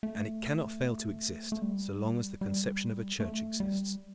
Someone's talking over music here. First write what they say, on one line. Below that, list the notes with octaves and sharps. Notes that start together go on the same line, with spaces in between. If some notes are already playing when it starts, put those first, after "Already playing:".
And it cannot fail to exist so long as the conception of a church exists.
A3
A3
G3
G3
A3
G3